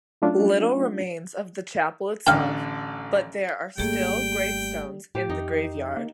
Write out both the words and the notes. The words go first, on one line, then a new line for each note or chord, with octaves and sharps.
Little remains of the chapel itself but there are still gravestones in the graveyard.
F#3 A3 C#4 D4 F4
A1 D3 F5 G5
G#1 G3 A3 A#3 G#4 A4 G5
A2 G4
F2 D#4
A#3